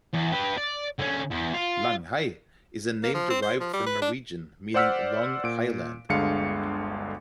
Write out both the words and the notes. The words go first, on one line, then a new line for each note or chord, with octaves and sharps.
Langhei is a name derived from Norwegian meaning "long highland".
E2
G4 B4
D5
D3 C#4
E2
F4
A#3
F3
C4
C5
F3
G3
B4
D4
C5 D5 F#5 E6 F6 B6
A#2 D7
G1 D2 D3 G#3 F5 C#7